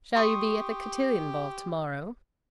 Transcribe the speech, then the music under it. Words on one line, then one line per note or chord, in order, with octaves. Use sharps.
"Shall you be at the cotillion ball tomorrow?"
G4 C6 C#6 D#6